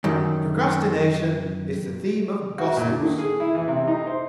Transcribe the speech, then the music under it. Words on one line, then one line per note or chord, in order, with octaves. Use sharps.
"Procrastination is the theme of gossips."
F#2 D#3
F#4
A#2
D3
D#3
G#4
E4
E3
C3
D#4
C5